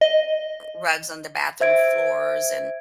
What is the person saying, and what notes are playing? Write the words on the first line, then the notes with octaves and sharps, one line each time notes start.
rugs on the bathroom floors and,
D#5
C5 E5 G#6 D7